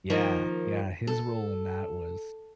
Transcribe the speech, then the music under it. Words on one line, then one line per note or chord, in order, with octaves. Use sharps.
Yeah, yeah. His role in that was
D#3 F3 A#3 D#4
A4